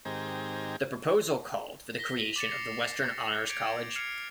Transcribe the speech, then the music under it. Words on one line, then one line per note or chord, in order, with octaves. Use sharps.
The proposal called for the creation of the Western Honors College.
G#2 D#3 C4 G4 G#5 A#5
A#6 B6 G7
D6 A6 C#7
A#6 C7 C#7 E7 F7
G6 G#6 C#7 D7 F7
F6 G#6 C7 C#7 F7